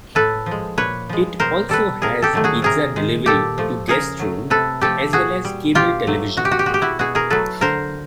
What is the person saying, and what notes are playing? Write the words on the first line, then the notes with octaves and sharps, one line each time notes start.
It also has pizza delivery to guests' rooms as well as cable television.
A2 A4 B4
F3
G#3
A#2 B4 C#5
F3 G#3
B2 A#4 C5
G3 A4 B4
C3 G#4 A#4
G4 A4
D#3 F#3 A3
F#4 G#4
C3 G#4 A#4
D#3 G#3
A#2 G4 A4
F3 A3
C#3 G#4 A#4
F#3 A3
C3 A4 B4
F3 A3 G4 A4
A#2 F#4 G#4
G3
B2 F4 G4
F#3 A3
B2 F#4
G4
F#4
G4
G#3 F#4
G4
E4 F#4
B2 F#4 G#4
G#4 A#4
F#3 A3 A4 B4
D3 A#4 C5